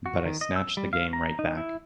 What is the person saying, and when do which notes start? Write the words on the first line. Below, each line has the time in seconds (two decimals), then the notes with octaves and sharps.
But I snatch the game right back.
0.06 F#4
0.26 D#3
0.41 D#5
0.56 E6
0.77 G3
0.93 F5
1.13 A#5
1.39 D#4
1.57 E4